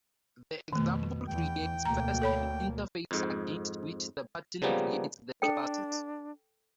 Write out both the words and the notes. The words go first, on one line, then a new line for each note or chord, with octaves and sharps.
The example creates first an interface against which the pattern creates the classes.
F2 B2 D#3 A3
E2 E3 G5
D2 B2 A#3 A#5
A4 C#5 B5
F2 G#2
C#3 F3 G3 A#3 B3
D4 A4 G5